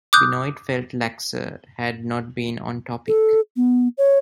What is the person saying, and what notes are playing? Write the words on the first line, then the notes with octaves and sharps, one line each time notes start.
Benoit felt Laxer had not been on topic.
D6 D#6 F#6 G6
A4
B3
C#5